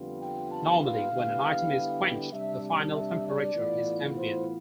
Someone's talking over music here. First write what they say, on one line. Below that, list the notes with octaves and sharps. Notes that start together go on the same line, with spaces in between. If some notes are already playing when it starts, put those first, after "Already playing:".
Normally, when an item is quenched, the final temperature is ambient.
Already playing: F2 D3 G3 B3 F4
G5
A5
F5
D3 G3 B3 E4
C3 G3 D4 E5
E5
D5
A2 E3 B3 F4
C5